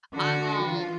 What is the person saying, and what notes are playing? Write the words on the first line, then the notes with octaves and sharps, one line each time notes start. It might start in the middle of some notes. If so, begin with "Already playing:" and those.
I'm all
D3 F#4
E3 F4